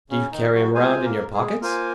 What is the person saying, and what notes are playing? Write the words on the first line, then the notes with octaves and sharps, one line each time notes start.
"Do you carry 'em round in your pockets?"
C#3 C#4
D#3 D#4
F#3 F#4
G#3 F4 G#4 C5 F5 G#5
A#3 A#4
G#3 G#4
A#3 F4 A#4 C5 F5 G#5